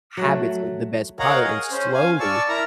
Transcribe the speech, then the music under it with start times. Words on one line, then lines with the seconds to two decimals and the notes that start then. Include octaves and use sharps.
habits of the best pilot, and slowly
0.17 F#3 A3
1.20 A#4 C#5 D#5 F5 F#5 A#5
1.43 G#4
1.71 C#4 C5
1.94 F5 G#5
2.20 D5 A5 C#6 E6
2.49 E4 A#4 A#5